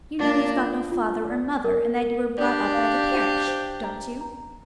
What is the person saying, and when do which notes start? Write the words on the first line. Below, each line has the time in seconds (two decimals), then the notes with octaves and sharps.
'You know you've got no father or mother, and that you were brought up by the parish, don't you?'
0.19 A#3 D4 F4
0.56 F4
0.92 F4
1.29 D5
1.64 A#4
2.02 A#4
2.37 D4 G4 D5
2.74 F5
3.11 C5
3.48 C5
3.84 A#5
4.21 A#5